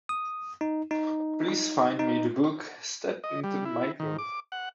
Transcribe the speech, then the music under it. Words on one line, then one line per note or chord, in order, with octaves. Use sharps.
Please find me the book Step Into My Groove.
D#6
D#4
D#4
D#4
D#5
G3
E4
D#3
D6
F#5